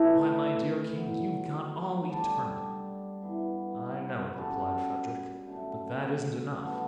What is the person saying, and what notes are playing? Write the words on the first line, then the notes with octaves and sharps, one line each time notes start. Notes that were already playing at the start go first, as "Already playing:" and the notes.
Why, my dear king, you've got all eternity.' 'I know it,' replied Frederick, 'but that isn't enough.
Already playing: E3 A3 E4 B4
A2 F#3 B3
G3 D4 A4
G2 E3 B3
G3 C#4 F#4 A4
F#2 D3 A3
D3 G3 B3 F#4